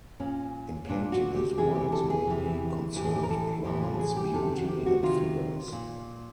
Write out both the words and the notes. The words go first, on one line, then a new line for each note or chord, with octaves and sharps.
In painting his works mainly concerned plants, beauty, and figures.
A#2 C#4
A#2 D4
F#4
G4
C3 E3 G#4
G4
A4
G#4
C3 E3
A2 E3 G4 G#4
G4
A#4
A4
A2 E3 G4
F4
A4
G#4
G4
C3 D#3 A4
F#4
G4
F#4
C3 D#3 F4
A#2